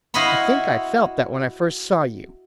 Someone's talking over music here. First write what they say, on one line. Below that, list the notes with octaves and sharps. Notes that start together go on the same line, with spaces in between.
I think I felt that when I first saw you.
E4 F#4 D#5 F5 B5 C6